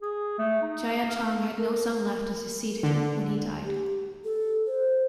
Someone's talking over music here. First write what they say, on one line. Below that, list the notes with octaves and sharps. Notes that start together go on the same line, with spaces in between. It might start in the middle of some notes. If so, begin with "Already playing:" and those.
Jia Chong had no son left to succeed him when he died.
G#4
A3
D#4
F5
A#4
D3
G4
A4
C5